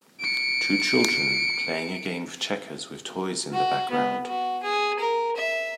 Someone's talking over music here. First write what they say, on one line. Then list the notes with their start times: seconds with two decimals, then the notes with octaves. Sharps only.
Two children playing a game of checkers with toys in the background.
0.20 C#7 D7
3.53 F#4
3.90 B3
4.27 F#4
4.63 G#4
4.99 A#4
5.36 E5